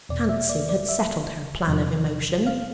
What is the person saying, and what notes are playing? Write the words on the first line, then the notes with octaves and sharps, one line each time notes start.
Fancy had settled her plan of emotion.
E2 B2 D5
E5
D5
D5
E5
E2 C3 F3
F5